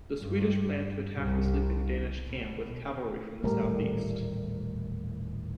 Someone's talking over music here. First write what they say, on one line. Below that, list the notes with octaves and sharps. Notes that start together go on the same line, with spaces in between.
The Swedish planned to attack the sleeping Danish camp with cavalry from the southeast.
G2
C2
B2
D#1 A2 E3 G3 A3 A#4